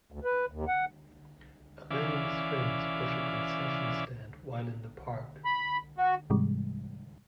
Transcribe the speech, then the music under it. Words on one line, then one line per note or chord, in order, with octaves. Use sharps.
A man and his friend push a concession stand while in the park.
D2
B4
D#2
F#5
E3 C#4 D5 E5 F5 D6
B5
F#4
G#2 C3 E3 G3 G#3